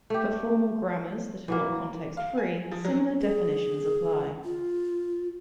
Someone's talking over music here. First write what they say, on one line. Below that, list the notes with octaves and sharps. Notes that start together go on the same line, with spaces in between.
For formal grammars that are not context-free, similar definitions apply.
A3 G4
E3 F#3 A#3
F5
G#5
F3
F#3
G#4
F4